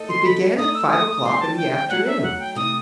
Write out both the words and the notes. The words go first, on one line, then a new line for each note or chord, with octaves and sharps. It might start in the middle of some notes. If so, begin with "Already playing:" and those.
It began at five o'clock in the afternoon.
Already playing: A3 D#4 A4 D#5
C6
B5
A3 D#4 A4 D#6
E6
D#6
D#6
E3 G3 C4 C6
A5
G5
G5
F#3 A3 D#4 F#5
E5
F#5
G5
C3 E3 A3 D#6